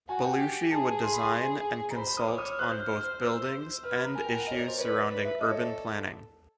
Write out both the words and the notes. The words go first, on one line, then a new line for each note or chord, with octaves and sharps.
Belluschi would design and consult on both buildings and issues surrounding urban planning.
F#4 G#5
G5
G4
G#4 A5
C6
B5
C6
A#5
C5 B5
B5
D#6
C#5 D6
D#6
F6
C5 F#6
G6
F6
F6
F6
F6
E6
E6
B4 F6
B5
A#5
A#4 G#5
G5
F#5
C#5 D#5
D5
C5
B4 C#5
D5
D5
B4
E5
A4 D#5
C#5
D5